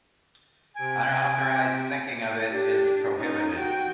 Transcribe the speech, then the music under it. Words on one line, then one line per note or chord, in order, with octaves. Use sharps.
Unauthorized thinking of it is prohibited.
C3 G#5 D7
D4 G4
C#4 D#4
F#4 G5